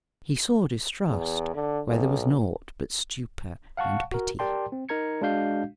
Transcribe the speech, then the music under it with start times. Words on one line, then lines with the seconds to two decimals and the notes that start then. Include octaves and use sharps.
He saw distrust where there was naught but stupor and pity.
1.09 E2
1.54 D3
1.88 B1
3.77 F5 F#5 A5 C#6
4.12 F#4 A#4
4.39 G4 A#4 D5 G5 A5 C6
4.72 C4
4.89 D#4 A#4 A#5 G#6 C#7
5.21 G#3 D4 F#4 F5 G6 C7